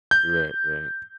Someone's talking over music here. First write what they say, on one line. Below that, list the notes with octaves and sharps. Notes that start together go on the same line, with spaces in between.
Right, right.
G6